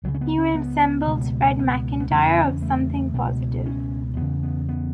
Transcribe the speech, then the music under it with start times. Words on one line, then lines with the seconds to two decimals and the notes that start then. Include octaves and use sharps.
He resembles Fred MacIntire of "Something Positive".
0.04 C#2 C#3 F#3
0.15 C#4
0.21 B3
0.38 C#4
0.55 B3
1.07 C#2 B2
1.59 B3
2.00 B3
2.11 E2 C#3 A3
2.27 B3
2.45 C#4
2.62 A3
3.14 C#2 B2
3.66 C#4
4.17 E2 C#3 B3
4.43 B3
4.69 B3